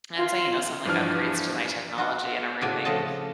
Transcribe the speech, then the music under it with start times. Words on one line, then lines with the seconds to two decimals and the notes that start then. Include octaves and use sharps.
And, so, you know, some, like, upgrades to my technology and everything,
0.17 F4
0.85 G2 E3 F3 D4 F6
1.98 F4 F#4
2.61 A2 C#3 A3 F#4 D5 G#5
2.85 C#3 F3 A3 D#5 F#5 A5